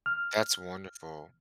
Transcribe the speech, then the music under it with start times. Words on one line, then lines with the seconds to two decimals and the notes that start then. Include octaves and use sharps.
That's wonderful.
0.06 F6